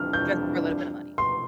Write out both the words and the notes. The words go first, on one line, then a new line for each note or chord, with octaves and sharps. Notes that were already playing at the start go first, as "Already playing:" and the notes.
just for a little bit of money.
Already playing: F2 E3 G3 D4 F6
G6
C6